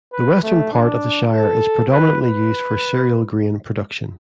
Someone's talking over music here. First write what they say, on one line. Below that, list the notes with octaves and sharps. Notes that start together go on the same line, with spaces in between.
The western part of the shire is predominantly used for cereal grain production.
B4
A3
D4
A4
B4
B4